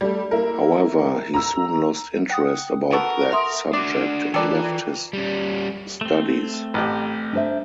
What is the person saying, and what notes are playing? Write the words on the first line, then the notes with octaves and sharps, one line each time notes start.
However he soon lost interest about that subject and left his studies.
G3 A3
A#3 E4 A#4
A#5 E6
F#5 G5 D#6
B3 F#4 A4 A#4
E5 C6 D#6
D4 F#4 D5
E3 F4 A4 A#4 D5 G5
G3 C#4
A3 C4
A1 G4
D4 C5 E5